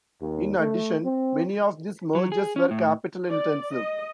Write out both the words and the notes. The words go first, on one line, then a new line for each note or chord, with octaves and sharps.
In addition, many of these mergers were capital-intensive.
D#2
A3
C4
F#3
G#4
C#4
A2
D5
D#5